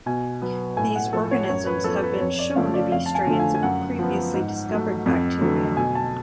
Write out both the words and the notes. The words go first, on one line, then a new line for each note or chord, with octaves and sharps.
These organisms have been shown to be strains of previously discovered bacteria.
B2 G#5
F#3 B3
A2 G#5
F#5
F3 A3 A4
C#5
F#2 C#5
B4
F3 B3 A4
B4
F2 C#5
D5
C#3 F3 A3 F5
D5
F2 F5
A5
G#5
D3 F3 A3
G#5
G#5
F#2 F#5
F3 B3
G#2
F#3 A3
F2
D3 F#3 A3
B2 G#5
A5